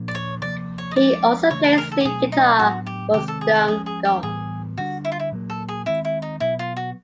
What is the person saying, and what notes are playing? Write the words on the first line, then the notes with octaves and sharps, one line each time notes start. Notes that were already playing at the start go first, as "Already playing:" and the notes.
He also plays lead guitar for Stone Gods.
Already playing: A#2 F3 A#3 D4
D5
C#5
C3 F3 A#3 D5
C#5
D#5
F3 G#3 C4 D5
C#3 E3 A3 D4 C#5
B4
A#4
A4
G4
B2 F#3 A3 C4 G#4
D#4
A2 F#3 B3 D4 F#4
G4
C3 D#3 G#3 C4 G4
A4
G#4
A4
F3 G#3 C#4 G#4
G#4
G4
A2 E3 G3 B3 G#4
D3 G3 B3 D4 F#4
E4
F4
E4
A#2 F#3 A#3
A4
G#4
D#3 G#3 C4 E4
E4
D#4
B2 F#3 B3 E4
F4
F#4